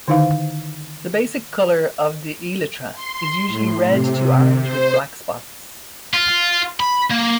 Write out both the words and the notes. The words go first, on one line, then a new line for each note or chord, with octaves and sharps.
The basic color of the elytra is usually red to orange with black spots.
D3 D#3 D#4 E4 C5 F5
C6
A2
C3
C5
F4
B5
A#3